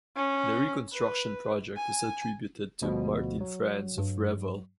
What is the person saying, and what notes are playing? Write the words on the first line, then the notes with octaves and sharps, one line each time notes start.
The reconstruction project is attributed to Martin Franz of Reval.
C#4
B4
G#5
D2 B2 F3
F#3
G2